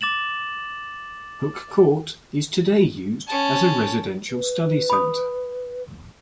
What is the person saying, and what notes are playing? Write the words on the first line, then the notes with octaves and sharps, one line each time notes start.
Hooke Court is today used as a residential study centre.
D6 A6 E7 F#7
C#4 A5
B4
B5 D#6